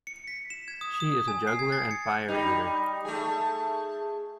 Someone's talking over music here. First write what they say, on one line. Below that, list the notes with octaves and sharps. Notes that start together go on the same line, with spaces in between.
She is a juggler and fire eater.
C#7
B6
E7
G#6
D#6
D#6
G#5
C7
G#6
A6
C#7
G3 D#4
A3 G#4